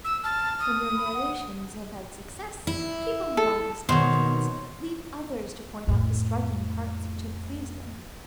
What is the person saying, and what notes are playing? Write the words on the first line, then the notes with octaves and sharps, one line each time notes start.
When your narrations have had success, keep a modest countenance; leave others to point out the striking parts which have pleased them.
E6
A5 F6
D#6
B5
F#5
E4
A4
B2 D#3 C5 C#5
F2 A2